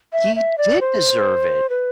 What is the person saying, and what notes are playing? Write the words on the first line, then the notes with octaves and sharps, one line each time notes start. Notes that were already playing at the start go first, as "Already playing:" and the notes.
He did deserve it.
E5
E5
D5
C5
B4